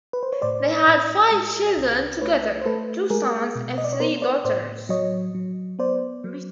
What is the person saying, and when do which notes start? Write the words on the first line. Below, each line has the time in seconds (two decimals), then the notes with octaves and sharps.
They had five children together: two sons and three daughters.
0.13 B4
0.23 C5
0.33 C#5
0.42 A2 C5 D5
0.87 A2
1.31 G#3
1.76 C2
2.21 A3 B4 C#5
2.61 C5
2.66 A3 A4 B4
3.10 G#3 G#4 A#4
3.55 B2
3.78 D#5
3.84 D5
3.93 C#5
4.00 B3 A#4 C5
4.22 C5 D5
4.44 A2 C5 D5
4.89 F#3 C#5 D#5
5.35 F#3
5.79 B3 C5 D5
6.24 F#3